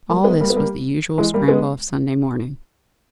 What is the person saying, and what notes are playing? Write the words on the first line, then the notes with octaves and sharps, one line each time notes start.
All this was the usual scramble of Sunday morning.
G3 A#3
G#3 B3
G3 A#3
B3
G3 A#3
E3 G#3
G3 A#3
G#3 B3